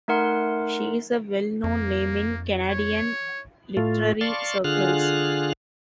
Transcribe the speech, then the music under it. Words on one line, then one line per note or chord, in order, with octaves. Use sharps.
She is a well known name in Canadian literary circles.
A3 D#4 A#4 F#5 C6
F2 A#3
C#5
A2 A3 F4
D5 F5 A5 C6 C#6
D3 F4 G#4 F6 F#6